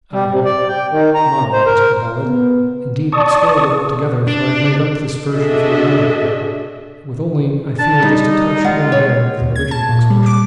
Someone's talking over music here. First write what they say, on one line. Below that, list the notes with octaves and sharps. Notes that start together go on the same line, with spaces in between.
I have modernized the ballad--indeed spoiled it altogether, for I have made up this version from the memory of it--with only, I fear, just a touch here and there of the original expression.
G3
C3
D5
G5
D#3
A#5
C5
A#4
B3
D5 A5 C#6 D#6
D4
D4 F#4 G#4 A4 D#5 E5
D4 A5
G3 D#4
G3 G#3 F4 F#5
C#5
D#2
G#6
A5
A#2
G3
D6